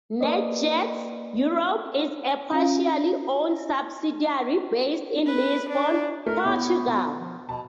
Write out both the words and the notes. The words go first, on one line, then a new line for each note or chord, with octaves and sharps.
NetJets Europe is a partially owned subsidiary based in Lisbon, Portugal.
A#3 B4 D5 D#5
C#4 F4 F5
B4
D4
A3 A#4
B2 B3 E4 C#5
B2
F3
B2 A5